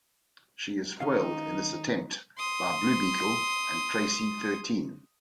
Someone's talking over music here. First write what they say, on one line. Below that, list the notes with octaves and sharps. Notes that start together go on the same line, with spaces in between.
She is foiled in this attempt by Blue Beetle and Traci Thirteen.
D#3 C#4 D#4 F5
C6 D#6